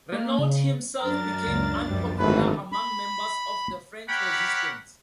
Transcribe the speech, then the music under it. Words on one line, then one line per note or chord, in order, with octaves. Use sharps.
Renault himself became unpopular among members of the French resistance.
A#3
C#3
F#2 D4 A#4 A6
C#2
F#2 F3 G3
G#1 D3 A3 F4 F#4 B4
B5
G4 A#4 C#5 F#5 B5